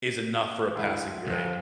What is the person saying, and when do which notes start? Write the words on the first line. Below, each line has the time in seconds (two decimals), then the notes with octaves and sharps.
is enough for a passing grade."
0.75 D2 G#2 E4
1.27 C2 F2